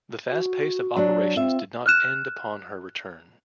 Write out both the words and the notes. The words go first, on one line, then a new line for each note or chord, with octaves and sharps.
The fast pace of operations did not end upon her return.
F#4
F#3 D4
C4 F4 E5
F6 F#6 E7